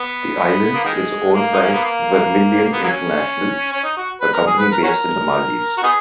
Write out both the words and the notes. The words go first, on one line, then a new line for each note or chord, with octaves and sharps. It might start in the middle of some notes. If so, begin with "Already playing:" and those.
The island is owned by Vermilion International, a company based in the Maldives.
Already playing: B3
A#3
D#3 G#3
A#3
D#4
C#4
B3
A#3
B3
F#3 A#3 C#4
C#4
D#4
F#4
B4
A#4
G#4
B4
A#4
C#4 F#4 A#4
F#4
B3 D#4 G#4